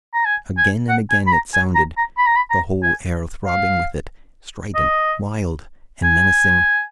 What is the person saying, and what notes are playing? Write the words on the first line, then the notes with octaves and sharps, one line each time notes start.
Again and again it sounded, the whole air throbbing with it, strident, wild, and menacing.
A#5
G#5
G#5
F#5
G#5
B5
A#5
G#5
A#5
A#5
B5
A#5
B5
A#5
G#5
F5
D#5
G#5